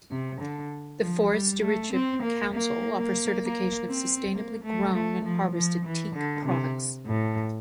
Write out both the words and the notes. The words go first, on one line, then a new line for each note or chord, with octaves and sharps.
The Forest Stewardship Council offers certification of sustainably grown and harvested teak products.
C3
D3
F3
G3
A3
C4
A#3
A#3
A#3
A#3
C4
A#3
A3
A3
F3
F3
E3
D3
C3
A2